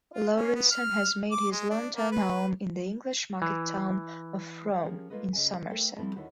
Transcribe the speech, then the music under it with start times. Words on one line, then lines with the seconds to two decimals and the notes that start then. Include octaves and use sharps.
Laurenson has made his long-term home in the English market-town of Frome in Somerset.
0.13 F4
0.35 C#4
0.55 B3
0.71 F6
1.31 D6
1.52 G#3
1.70 D4
1.95 A#3
2.12 B4
3.42 E3
4.83 F3 C#4 G4 G#4 A#4
5.10 G#3 A#3 F4 A4 B4 D#5
5.33 C#3 C#4 D#5 G#5
5.70 A3 A4 A#4 C5 G5
5.98 F3 G3 C4 E4 F#4 A4
6.15 D#2 D3 D#3 E4 F#4 C#5